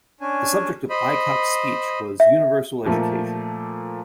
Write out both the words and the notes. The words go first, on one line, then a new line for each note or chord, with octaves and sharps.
The subject of Aycock's speech was 'Universal Education'.
C#4 D4 G#5
C5 D#5 B5
E5
A#2 F3 A3 A#3